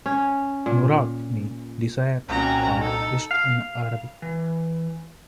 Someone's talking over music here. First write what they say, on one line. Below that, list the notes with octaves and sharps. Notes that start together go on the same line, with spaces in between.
Murad means "desired" or "wished" in Arabic.
C#4
A#2
C2 A#2 C#4 F#4 G5 A#5
D#4 A4
F5
E3